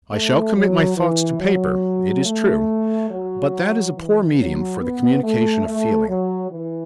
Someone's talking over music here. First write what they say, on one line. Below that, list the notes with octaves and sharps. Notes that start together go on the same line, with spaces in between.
I shall commit my thoughts to paper, it is true; but that is a poor medium for the communication of feeling.
A3
F#3
E3
F#3
A3
F#3
E3
F#3
B3
A3
A3
F#3
E3